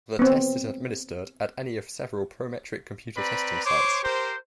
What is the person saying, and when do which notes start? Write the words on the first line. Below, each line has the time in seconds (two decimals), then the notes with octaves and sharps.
The test is administered at any of several Prometric computer testing sites.
0.19 B3 C4
3.17 C4 B4 D5 A#5 B5
3.65 C5 C#5 C6 D6
4.03 G4 A#4 C5